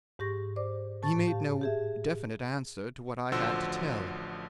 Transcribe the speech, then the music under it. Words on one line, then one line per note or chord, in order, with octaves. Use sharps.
He made no definite answer to what I had to tell.
G#2 G4 C#6 A#6
C5 D5 D6
A2 A5 C#6 A6
G4 F5
G4 G#4 E5
A1 D3 F3 F#4 C5 E6